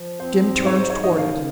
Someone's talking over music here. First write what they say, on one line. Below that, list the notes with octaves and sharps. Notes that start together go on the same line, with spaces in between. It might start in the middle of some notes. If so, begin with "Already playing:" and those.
Jim turned toward it.
Already playing: F3
C4 C5
G#2
C#5
D#4 C5
C#5
D#3 D#5
F5
C#3